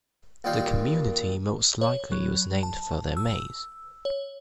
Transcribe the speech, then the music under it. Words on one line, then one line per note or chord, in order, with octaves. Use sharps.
The community most likely was named for their maize.
D#2 A#2 G3 F5 G5
C#5
F#3
A5
E6
C#5